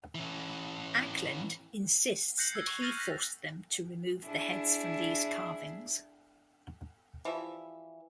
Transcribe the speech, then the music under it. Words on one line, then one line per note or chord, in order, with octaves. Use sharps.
Acland insists that he forced them to remove the heads from these carvings.
E3 C#4
F#6 G6 A#6 C7 C#7 F#7
E6 F#6 G#6 C7 C#7
C#6 F#7
F6 A6 A#6 D#7 F7
F#6 A#6 B6
D4 E4 G#4
E3 F3 G3 E5